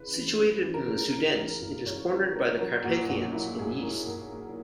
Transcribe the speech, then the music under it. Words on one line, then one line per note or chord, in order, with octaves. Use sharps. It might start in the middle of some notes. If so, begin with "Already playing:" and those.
Situated in the Sudetes, it is cornered by the Carpathians in the east.
Already playing: C#3 E3 B4
E3
C#3
E3
A#4
C#3
C#3
E3
C#2
C#2 C#5
G#3 B4
G#3 A#4
F#3 A#4
A#2 F#4
B1 F#4
F#3 E4
B1 G#4
A#2 A#4
B1 A#4
A#2